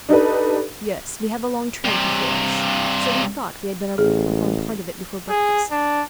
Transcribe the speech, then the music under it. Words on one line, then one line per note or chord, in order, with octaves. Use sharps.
"Yes, we have a long tramp before us, so we thought we had better perform part of it before breakfast."
D4 D#4 G4 A4 B4
G2 C3
A1 G#4
G#4
D4